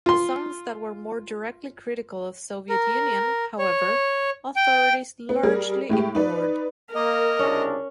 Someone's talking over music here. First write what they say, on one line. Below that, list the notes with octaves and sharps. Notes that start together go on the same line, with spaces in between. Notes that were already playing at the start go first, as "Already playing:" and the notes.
The songs that were more directly critical of Soviet Union, however, authorities largely ignored.
F4 C6
A#4
C#5
G5
B3
G3 G#4 A#4
A2 G#3 G4
D#4 B4 D5
A#3 A#4 D#5
C2 C#3 C#4 D4